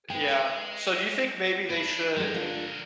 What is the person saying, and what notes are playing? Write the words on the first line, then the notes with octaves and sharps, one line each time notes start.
Yeah, so do you think maybe they should
G#3 B4 G5
D4 B4
D3 G3 G#3 A#4
D4 F4